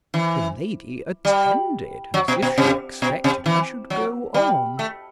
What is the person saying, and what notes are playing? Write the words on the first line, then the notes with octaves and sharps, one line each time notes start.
The lady attended as if she expected I should go on.
E3
G3
F#3
B2
B2
C3
B2
C3
E3
F#3
G3
A3